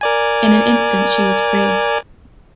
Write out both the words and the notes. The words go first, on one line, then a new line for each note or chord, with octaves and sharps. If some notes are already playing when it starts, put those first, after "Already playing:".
In an instant she was free.
A#4 D5 G#5